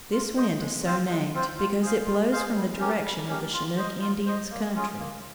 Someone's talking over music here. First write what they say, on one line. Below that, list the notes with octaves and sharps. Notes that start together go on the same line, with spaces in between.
This wind is so named because it blows from the direction of the Chinook Indians' country.
F4
C5 D#5
G#3
C4 F4 C5
G#3
C4 F4 C5
F4
G#4 C5 F5
F4
G#4 C5 F5
G3
C#4 G4 A#4
G3
C#4 G4 A#4
F4
C5 D#5
F4
C5 D#5
A#3
C#4 F4 G#4
A#3